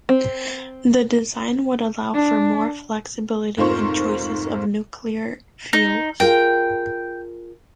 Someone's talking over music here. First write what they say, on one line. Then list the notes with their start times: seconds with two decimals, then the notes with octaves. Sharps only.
The design would allow for more flexibility in choices of nuclear fuels.
0.09 C4
2.14 D4
3.57 F1 G#2 F4 A#4 C5 C#6
5.73 D#4
6.20 F4 G#4 A#4 G5